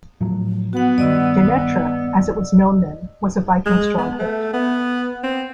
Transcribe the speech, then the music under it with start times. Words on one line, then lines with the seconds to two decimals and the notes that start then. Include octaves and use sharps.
Danetre, as it was known then, was a Viking stronghold.
0.21 A2 F3 F#3
0.73 B3 F#4 F#5
0.98 G2 D#3 D5 D#5 E6
3.66 G#3
3.98 B3
4.19 A3
4.53 B3
5.24 C4